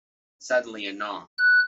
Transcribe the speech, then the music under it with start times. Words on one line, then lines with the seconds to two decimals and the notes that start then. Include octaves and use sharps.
Suddenly, a knock.
1.38 F#6